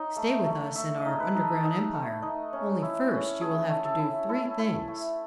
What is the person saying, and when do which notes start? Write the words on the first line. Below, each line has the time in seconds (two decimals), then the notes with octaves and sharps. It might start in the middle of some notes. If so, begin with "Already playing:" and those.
Stay with us in our underground empire, only first you will have to do three things.
Already playing: D#4 C#5
0.16 A3
0.46 A3
0.75 A3 E5
0.98 D#5
1.05 D#4
1.20 B4
1.35 D#4
1.43 A4
1.64 D#4
1.93 A3
2.22 D#4
2.53 C#4
2.82 E4
3.11 C#4
3.41 A3 G#4
3.71 A3
3.85 A4
3.99 E4
4.29 E4 A4
4.59 E4
4.88 A3